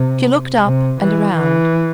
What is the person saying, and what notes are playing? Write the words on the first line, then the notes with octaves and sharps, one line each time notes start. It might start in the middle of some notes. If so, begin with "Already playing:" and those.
She looked up and around.
Already playing: C3
C3
E3
E3